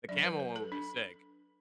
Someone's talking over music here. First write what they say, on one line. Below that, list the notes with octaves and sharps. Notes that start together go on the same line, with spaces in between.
The camo one would be sick.
F#3 D4 D5
B4
B4
A4
D4